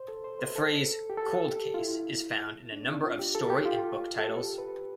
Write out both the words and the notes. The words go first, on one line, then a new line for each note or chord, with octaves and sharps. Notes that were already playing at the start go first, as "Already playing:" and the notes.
The phrase "Cold Case" is found in a number of story and book titles.
Already playing: C5
A4
C5
B4
A4
G4
A4
G4
F4
E4
D4
C4
D4
F4
G4
A4
G4
F4
A4
G4
B4